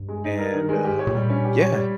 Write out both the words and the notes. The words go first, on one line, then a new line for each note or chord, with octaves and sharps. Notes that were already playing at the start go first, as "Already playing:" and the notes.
and, uh, yeah,
Already playing: G2
G#3
D#4
A#4
D#3
G#3
G4
C#5
A#2
G3
C#4
G4
C#5
G3